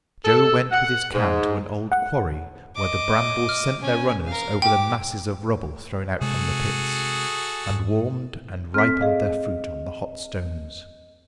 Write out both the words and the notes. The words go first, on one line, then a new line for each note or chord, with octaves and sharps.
Joe went with his can to an old quarry where the brambles sent their runners over the masses of rubble thrown out from the pits, and warmed and ripened their fruit on the hot stones.
A4
F#5
G#2
F#5
D#5 D6
F6
C#4 G#5
A#4 F5
G4 G5 D6
C3 G#3 F#4 G#4 A4
G#2
C4 A4 F6 B6
G#4 D#5 F5